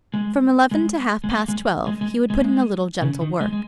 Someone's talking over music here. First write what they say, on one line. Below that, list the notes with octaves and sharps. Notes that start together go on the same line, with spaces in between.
From eleven to half past twelve he would put in a little gentle work.
G#3
G#3
G#3
A#3
G#3
G#3
G#3
G#3
A#3
G#3
C#3
D#3
G#3
G#3